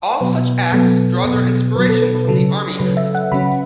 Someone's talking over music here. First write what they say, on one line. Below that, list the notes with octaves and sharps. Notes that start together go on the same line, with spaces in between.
All such Acts draw their inspiration from the Army Act.
B2 F#3 B3 B4
B2 F#3 B3 A4
B2 F#3 B3
B2 F#3 B3 B4
A4
B4
B4
C#3 F#3 C#4 A4
C#3 F#3 C#4 B4
E5
F#5
C#3 F#3 C#4 B5